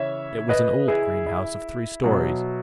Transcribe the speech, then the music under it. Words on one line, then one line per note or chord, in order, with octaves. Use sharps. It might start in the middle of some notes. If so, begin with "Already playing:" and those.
It was an old green house of three storeys.
Already playing: C#3 E3 C#5 E5
B4 D#5
E4 G#4
E4
B2 F#3